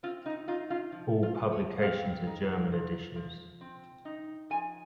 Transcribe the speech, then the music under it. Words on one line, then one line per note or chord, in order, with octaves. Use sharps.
All publications are German editions.
C4 F4
D#4
D#4 F4
F4
F3
F4
F3
C#5
C4 F5
D#4
F3
F3
C4
D#4
F3 G#5